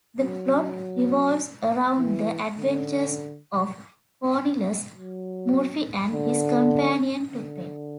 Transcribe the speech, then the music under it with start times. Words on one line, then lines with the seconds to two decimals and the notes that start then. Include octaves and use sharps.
The plot revolves around the adventures of Cornelius Murphy and his companion Tuppe.
0.20 F#3
1.98 E3
2.57 D3
4.94 F#3
6.13 D3
7.31 D3